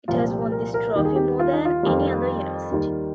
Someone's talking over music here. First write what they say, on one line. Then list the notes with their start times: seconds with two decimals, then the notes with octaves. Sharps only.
It has won this trophy more than any other university.
0.08 C2 A#2 F3 F4
0.30 G4
0.52 A#4
0.74 A#4
0.96 D#2 D#3 G3 G4
1.05 G#4
1.16 G4
1.39 F4
1.53 D#4
1.65 F4
1.83 F2 D#3 G3
2.71 D#2 D#3 G3